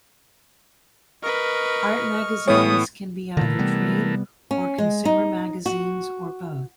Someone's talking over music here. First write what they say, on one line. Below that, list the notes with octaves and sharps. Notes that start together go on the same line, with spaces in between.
Art magazines can be either trade or consumer magazines or both.
A#4 B4 D#5 C#6 F6
A2 E3 B3 C#5 D#6
A#2 D3 E3 A3 A#4
C3 G3 B3
C#4
G#3
D#4
F#4